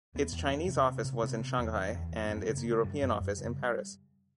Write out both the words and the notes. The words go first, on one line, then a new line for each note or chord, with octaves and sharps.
Its Chinese office was in Shanghai and its European office in Paris.
E2 B3
E2
E2
C3
C3
C3
C3 B3
C3
E2
E2
E2
E2
B3
F#2 C4
C#3 B3
A#3
C#3 G#3
F#2 G3
F#2
F#2
C#3